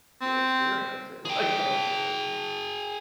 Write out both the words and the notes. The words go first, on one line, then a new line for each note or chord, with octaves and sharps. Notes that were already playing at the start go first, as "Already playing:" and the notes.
yeah, experience it, like, basically
C4
G#4 G5